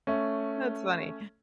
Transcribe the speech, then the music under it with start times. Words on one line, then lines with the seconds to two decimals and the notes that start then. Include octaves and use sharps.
That's funny.
0.07 A3 C#4